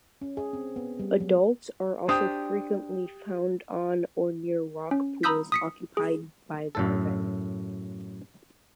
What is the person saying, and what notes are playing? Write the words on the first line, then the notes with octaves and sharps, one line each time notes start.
Adults are also frequently found on or near rock pools occupied by larvae.
C#4
G#4
C4
B3
G3
F#3
D4 G4 C5 D#6
C#4
A#5 B5 D#6 E6 G6 B6
D#6 B6 C#7
G#4
F#2 A2 A4